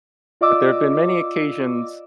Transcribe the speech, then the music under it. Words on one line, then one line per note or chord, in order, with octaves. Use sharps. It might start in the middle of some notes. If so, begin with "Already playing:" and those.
but there have been many occasions
F4 D5 D#5 D6 E6